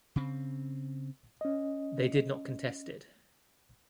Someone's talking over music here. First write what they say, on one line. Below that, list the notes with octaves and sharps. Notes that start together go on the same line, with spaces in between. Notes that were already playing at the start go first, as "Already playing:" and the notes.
They did not contest it.
C#3 C4
C#4 D#5